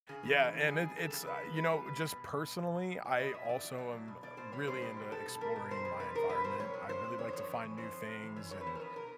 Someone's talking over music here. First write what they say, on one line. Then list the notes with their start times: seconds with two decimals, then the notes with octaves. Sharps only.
yeah, and, it it's you know, just personally, I also, um, really into exploring my environment. I really like to find new things, and,
0.09 C#3 G#4
0.23 E3
0.38 C#3
0.53 E3
0.68 F2 G#4
0.82 G3
0.97 G3 A4
1.13 C#3
1.27 G3 B4
1.43 F2
1.56 E3 B4
1.71 G3
1.86 B2
2.01 B2
2.16 B2
2.31 B2
2.46 B2
2.60 B2
2.75 F#3
2.90 B2
3.04 F#3 C#5
3.19 B2 D#5
3.34 B2 E5
3.45 C#5
3.49 F#3 D5
3.64 F#3
3.78 B2
3.93 F#3
4.08 B2
4.23 B2 D5
4.37 B2 C5
4.52 G3 C#5
4.67 B2 C5
4.82 B2 G4
4.97 G3
5.11 B2 A4
5.26 B2
5.41 G3 A#4
5.56 B2
5.71 G3 C5
5.85 B2
6.00 G3 B4
6.15 B2 A#4
6.29 G3 B4
6.44 B2 C5
6.60 F2 C#5
6.73 C3
6.89 F2 C5
7.04 C3
7.18 F2 C#5
7.28 C5
7.33 F2 C#5
7.48 F2
7.63 E3
7.77 F2 C5
7.92 F2
8.07 C3
8.23 E3
8.36 E3 C#5
8.51 C3 C#5
8.61 B4
8.66 E3 C5
8.75 A#4
8.81 F2 B4
8.96 B2 A#4